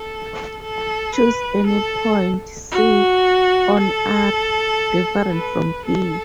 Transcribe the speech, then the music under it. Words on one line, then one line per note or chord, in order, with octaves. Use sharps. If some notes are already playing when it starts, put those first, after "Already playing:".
Choose any point "C" on "r" different from "B".
Already playing: A4
A4
B4
A4
F#4
A4
B4
A4